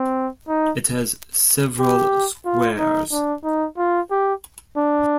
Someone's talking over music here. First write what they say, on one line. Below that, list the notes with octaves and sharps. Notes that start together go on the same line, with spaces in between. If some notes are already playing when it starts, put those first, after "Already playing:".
It has several squares.
Already playing: C4
D#4
G4
F4
D#4
D4
D#4
F4
G4
D4